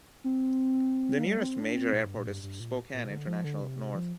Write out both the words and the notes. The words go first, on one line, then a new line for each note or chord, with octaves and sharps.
The nearest major airport is Spokane International, north.
C4
A#3
G3
A#3
C4
D4
C4
A#2
G2
A#2
G2
G2
A#2
A#2
C3
D3
F3
D3
C3
F3